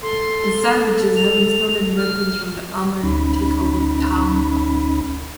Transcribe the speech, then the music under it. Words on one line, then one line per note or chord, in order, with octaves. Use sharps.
The Savages, having stolen weapons from the Armory, take over the town.
A4 C6
F7
F6
D2 C#4 D#4 B5